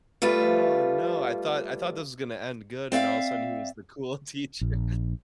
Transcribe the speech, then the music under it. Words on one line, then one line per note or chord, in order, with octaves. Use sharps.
Oh no, I thought I thought this was gonna end good, and all a sudden he was the cool teacher.
G3 A3 F4 B4
C4 D5 E5 F5
A#1